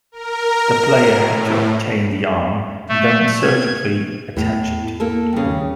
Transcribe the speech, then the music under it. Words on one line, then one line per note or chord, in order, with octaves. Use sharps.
The player had to obtain the arm and then surgically attach it.
A#4
A2
A3
G#6
E2 A2
A#3 A4
G2 C#3
D#2